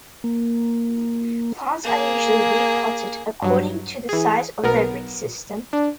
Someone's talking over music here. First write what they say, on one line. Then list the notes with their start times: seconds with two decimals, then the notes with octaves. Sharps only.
Plants are usually re-potted according to the size of their root system.
0.24 A#3
1.84 A#3 G#4
3.42 G2 F#3
4.09 E3 G#4
4.64 B1 B3 A#4
5.73 D4